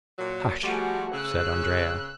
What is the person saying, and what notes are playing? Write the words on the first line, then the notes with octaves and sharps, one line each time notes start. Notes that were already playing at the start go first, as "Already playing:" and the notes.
"Hush," said Andrea.
A#2 F#3
F3 G3 A3 F#4 G#4
C#3 E6 F#6